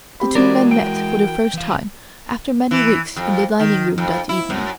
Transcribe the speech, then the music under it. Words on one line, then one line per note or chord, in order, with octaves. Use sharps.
The two men met for the first time after many weeks in the dining-room that evening.
C4 G4 B5
E3 G#3 F#4 A#4 D5
G5 D7
E3 F5
E3
F2
D#3
F2
E4
F#2